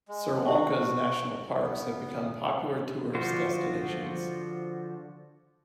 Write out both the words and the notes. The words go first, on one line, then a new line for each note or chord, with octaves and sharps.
Sri Lanka's national parks have been become popular tourist destinations.
G#3
F#4
B3
D3 F3 F4 F#4 C5